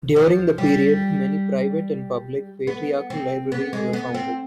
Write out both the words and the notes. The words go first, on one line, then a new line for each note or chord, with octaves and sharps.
During the period, many private and public patriarchal libraries were founded.
F3
G3
B3
C4
B3
G#3
B3
C4